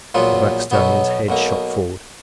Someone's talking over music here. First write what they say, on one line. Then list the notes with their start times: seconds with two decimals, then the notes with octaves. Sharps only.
The black stallion's head shot forward.
0.14 A#1 A#2 F#3 B3 F4
0.71 B1 B2 F#3 B3
1.29 B1 B2 A#3